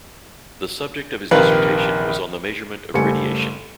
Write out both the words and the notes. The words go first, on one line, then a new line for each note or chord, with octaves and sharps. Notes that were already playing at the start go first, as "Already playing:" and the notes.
The subject of his dissertation was on the measurement of radiation.
A#1 C3 D#3 A#4 B4 F5
F#1 G3 A3 G#5 C#7